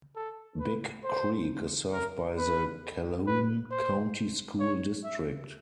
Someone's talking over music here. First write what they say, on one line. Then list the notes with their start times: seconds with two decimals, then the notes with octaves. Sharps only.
Big Creek is served by the Calhoun County School District.
0.16 A4
0.60 B4
1.04 C5
1.93 A#4
2.38 B4
3.27 B4
3.71 C5
4.60 C#5
5.04 E5